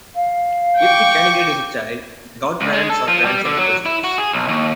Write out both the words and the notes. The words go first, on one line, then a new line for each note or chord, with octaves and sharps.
If the candidate is a child, the godparents are to answer the questions.
F5
G5 C#6 D6
C#2
G#3
A4
F3
G3
D3
F#3
E4
F#4
G#4
B1
D#2